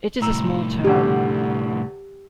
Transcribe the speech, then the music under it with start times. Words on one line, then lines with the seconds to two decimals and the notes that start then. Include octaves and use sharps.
It is a small town.
0.22 C2 A2 A#5 E6
0.85 F1 D2 D3 G4